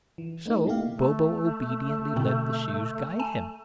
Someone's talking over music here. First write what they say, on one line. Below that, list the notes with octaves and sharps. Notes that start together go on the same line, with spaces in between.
So Bobo obediently let the shoes guide him.
E3
A3 B3 D#4
C3 A3 A#3 E4 G4 F5
A3
B2 D3 C4
G#5 A5